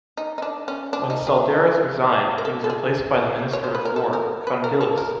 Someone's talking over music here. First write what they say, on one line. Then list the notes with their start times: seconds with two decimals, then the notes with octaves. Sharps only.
When Tsaldaris resigned, he was replaced by the Minister of War, Kondylis.
0.17 D#4
0.38 D#4
0.42 D4
0.68 C#4
0.93 D4
1.10 D#4
1.27 G#4
2.38 A#4
2.45 A4
2.64 A4
2.70 G#4
3.53 C#5
3.64 C5
3.75 B4
3.85 A#4
3.96 A4
4.13 A#4
4.47 B4
4.64 A#4
4.81 A4
4.98 A#4